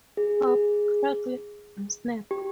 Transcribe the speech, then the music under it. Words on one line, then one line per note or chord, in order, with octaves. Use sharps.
Pop, crackle and snap.
G#4
G#4
G4